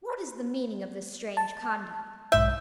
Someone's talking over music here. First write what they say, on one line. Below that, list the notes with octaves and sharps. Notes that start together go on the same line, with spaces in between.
What is the meaning of this strange conduct?
A5
B1 G#2 E5 G6